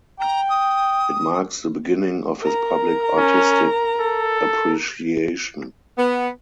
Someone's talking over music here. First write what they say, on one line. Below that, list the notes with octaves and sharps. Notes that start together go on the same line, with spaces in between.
It marks the beginning of his public artistic appreciation.
G5 A#5
D#6
A#4 A#5
C#4
A4
B3